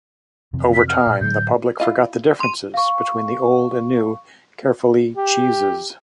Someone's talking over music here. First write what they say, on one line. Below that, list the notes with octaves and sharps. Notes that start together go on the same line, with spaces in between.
Over time, the public forgot the difference between the old and new Caerphilly cheeses.
F2 C3 E3
B6
F6
G2 A#2
A2 D3 F#3 G6
E4 F4 D#5
C6 D#7
F5 C#6
G4